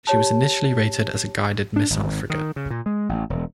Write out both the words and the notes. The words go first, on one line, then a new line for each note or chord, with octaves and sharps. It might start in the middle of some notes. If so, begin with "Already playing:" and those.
She was initially rated as a guided missile frigate.
G4 C#5 A5
D4
G#1
D#3
C#3
A#2
G#3
A1
E1